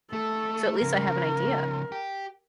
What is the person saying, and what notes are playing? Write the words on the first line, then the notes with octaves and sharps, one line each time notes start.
so at least I have an idea?
A3 A4
C#3 F3 A#4
G4